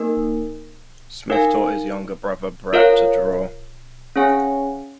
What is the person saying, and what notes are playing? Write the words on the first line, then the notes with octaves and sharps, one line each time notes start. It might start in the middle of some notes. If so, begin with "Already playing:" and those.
Smith taught his younger brother Bret to draw.
Already playing: A#3 D#4 A#4
D#4 A#4 F5 G#5
F4 A#4 C#5 F5
C#4 G#4 C#5 F5 G#5